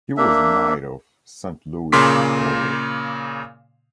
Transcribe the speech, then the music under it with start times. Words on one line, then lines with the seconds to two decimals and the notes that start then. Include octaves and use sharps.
He was a knight of Saint-Louis’s order.
0.17 A#3 D4 E5
1.92 A#2 C#3 A#3 C6 D6 B6